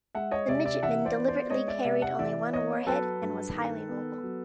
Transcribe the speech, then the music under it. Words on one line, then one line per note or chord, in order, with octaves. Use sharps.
The Midgetman deliberately carried only one warhead and was highly mobile.
G#3 E5 F#5
C#5 D#5
C3 D5 E5
D5 E5
E3 E5 F#5
C5 D5
B3
C5 D5
G#3 C#5 D#5
D5 E5
C3 D5 E5
E5 F#5
E3 D5 E5
B3 C#5 D#5
F#3 A4 B4
G2
D#3
B3
F#3